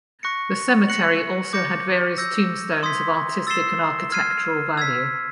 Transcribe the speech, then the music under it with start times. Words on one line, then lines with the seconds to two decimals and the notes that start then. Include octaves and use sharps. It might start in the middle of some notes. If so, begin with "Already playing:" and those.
The cemetery also had various tombstones of artistic and architectural value.
0.23 C#6 F#6 A#6 C#7
0.88 F#6 A#6 C#7 F#7
1.53 D6 G6 A#6 C#7
2.18 E6 G6 A#6
2.83 C6 D#6 G#6 B6
3.47 E6 A6 C7 E7 G7
4.12 F6 G#6 C7 D#7
4.77 E6 G#6 B6